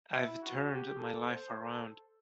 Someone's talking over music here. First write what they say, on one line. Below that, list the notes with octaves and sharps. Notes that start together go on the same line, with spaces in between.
I've turned my life around.
E4
F#4
G4
A4
C5
A4